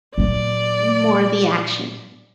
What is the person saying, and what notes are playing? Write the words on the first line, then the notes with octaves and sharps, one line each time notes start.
more of the action.
A#2 F#3 D5